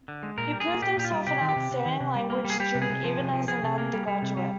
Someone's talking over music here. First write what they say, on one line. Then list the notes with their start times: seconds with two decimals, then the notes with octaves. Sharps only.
He proved himself an outstanding language student even as an undergraduate.
0.08 D3
0.23 G#3
0.38 A#2 A#4
0.53 G3
0.60 G#4
0.67 A#3
0.82 A#2 G4
0.97 A#2 G4
1.05 F4
1.12 G3
1.27 C3 G4
1.41 D#3
1.49 G4
1.56 C3
1.71 C3
1.86 D#3
2.00 C3
2.15 G3
2.30 A#3
2.45 G3
2.50 G#4
2.60 G3 G4
2.75 C3
2.82 G#4
2.90 C3
3.04 F3
3.19 C3
3.34 F3
3.48 F3 G#4
3.63 C3
3.78 A#3
3.93 G3
4.08 G3
4.22 C3
4.37 G3